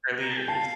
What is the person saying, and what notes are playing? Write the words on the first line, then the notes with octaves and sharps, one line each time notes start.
early years?
A#5
A5
G5
F5 A5